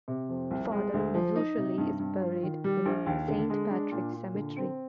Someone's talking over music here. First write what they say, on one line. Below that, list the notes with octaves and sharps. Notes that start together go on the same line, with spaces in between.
Father Mazzuchelli is buried in Saint Patrick's cemetery.
C3
F2
C2
G#3
D2
F3
D#4
C3
G2
G2
F4
D#3
G3
A#1
D#2
D3
G#3
D4
A#2
A#2
D3
C4